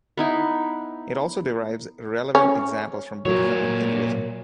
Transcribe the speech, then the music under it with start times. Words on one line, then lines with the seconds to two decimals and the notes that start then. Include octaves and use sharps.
It also derives relevant examples from Buddhism and Hinduism.
0.17 B3 D#4 E4
2.35 C#4
3.25 A#2 F#3 A#4 C#5